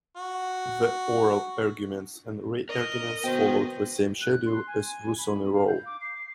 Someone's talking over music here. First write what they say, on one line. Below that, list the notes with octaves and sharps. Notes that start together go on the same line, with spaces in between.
The oral arguments and re-arguments followed the same schedule as those in "Roe".
F#4
A#4 D#5
B2 A#4 C5 G5
F#6
C6
G#5
B5
F5
G6
D6
C7